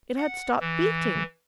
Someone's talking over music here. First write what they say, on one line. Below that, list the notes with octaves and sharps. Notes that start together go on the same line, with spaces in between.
It had stopped beating.
F#5
E3